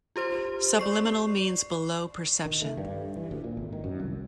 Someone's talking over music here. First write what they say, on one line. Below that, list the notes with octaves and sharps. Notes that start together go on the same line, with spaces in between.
Subliminal means below perception.
F4 G4 C5 C6
D5 C#6 C7
D#3
A3
G2
E3
D2
A#2
G#1
D#3
F#2
C2